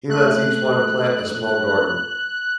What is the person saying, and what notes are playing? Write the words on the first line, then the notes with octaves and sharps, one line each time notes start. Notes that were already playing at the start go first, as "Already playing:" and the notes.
He lets each one plant a small garden.
A3 F#6